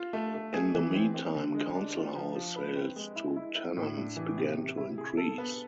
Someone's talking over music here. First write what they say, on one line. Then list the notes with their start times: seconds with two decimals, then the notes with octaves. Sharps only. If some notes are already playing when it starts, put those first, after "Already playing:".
In the meantime, council house sales to tenants began to increase.
Already playing: F4
0.13 A3
0.34 A3
0.54 G#4
0.74 E3
0.94 C4
1.14 C4
1.35 D3
1.54 G#3
1.75 D4
1.95 F4
2.15 F3
2.35 F3
2.56 B4
2.76 C4
2.96 G#3
3.15 E4
3.36 E4
3.56 E4
3.77 A2
3.97 D4
4.16 E3
4.37 C3
4.57 C3
4.77 E4
4.98 G#4
5.17 A4
5.38 B3